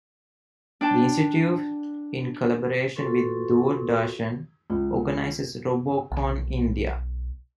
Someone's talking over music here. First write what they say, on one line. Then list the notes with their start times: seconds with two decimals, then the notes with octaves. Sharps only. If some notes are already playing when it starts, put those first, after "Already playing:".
The institute, in collaboration with Doordarshan, organizes Robocon India.
0.81 D4 G5 A5
2.95 F4 F#4 A4 B4 C6 C#6
4.70 C#2
6.12 B1